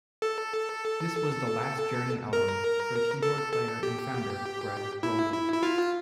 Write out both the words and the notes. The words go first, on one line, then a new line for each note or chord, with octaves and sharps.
This was the last Journey album for keyboard player and founder Gregg Rolie.
A4
A#4
A4
A4
G4
E4
E4
E4
F4